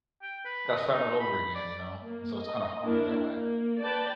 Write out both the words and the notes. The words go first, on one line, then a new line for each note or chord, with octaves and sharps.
gotta start all over again, you know, and so, it's, kinda, hard with that way,
G5
B4
D#5
D#4
B5
D5
A#3
D#5
A#3 D4 E4 A#4
A#3
B4 D5 G5 A5